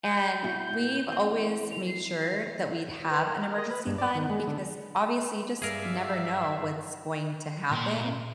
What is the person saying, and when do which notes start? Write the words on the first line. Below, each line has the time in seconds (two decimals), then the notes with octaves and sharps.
and we've always made sure that we'd have an emergency fund because, obviously, you just never know what's going to happen.
0.03 G6
0.44 B2 E4 F#4
1.08 E3 C4
1.71 F7
1.87 C7
3.11 B4
3.27 A#4
3.40 A#4
3.58 D#5
3.70 B4
3.87 G2
3.98 D5
4.15 D#3
4.30 G#3
4.48 D3
5.62 G2 G#4 A#4 D5 E5 F5
7.71 A#2 C6